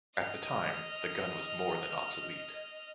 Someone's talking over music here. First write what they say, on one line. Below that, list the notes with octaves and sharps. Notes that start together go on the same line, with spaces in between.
At the time the gun was more than obsolete.
D#5 F6